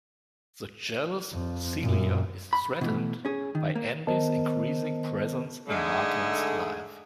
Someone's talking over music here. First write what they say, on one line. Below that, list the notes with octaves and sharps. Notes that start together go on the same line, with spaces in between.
The jealous Celia is threatened by Andy's increasing presence in Martin's life.
F2
F#2 A#2
B5
B2 E3 A3
C#4 G#4
D#3
A#3
D#3 B3 A#4 C5 D#5 A5
G#2 D3 G#3 A3